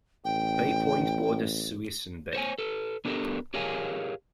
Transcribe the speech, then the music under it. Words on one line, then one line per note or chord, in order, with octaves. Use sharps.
Bay Point borders Suisun Bay.
A1 G5
C5 C#5 F#5 G#5
A4 B4
B3 D4 G4 A4 A#4
G4 G#4 A#4 C#5 F5 G#5